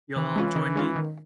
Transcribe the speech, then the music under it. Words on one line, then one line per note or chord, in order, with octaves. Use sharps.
You'll join me?
D#3 E3
G#3 C#4 F4
D#3
G#3 C#4 F4
D#3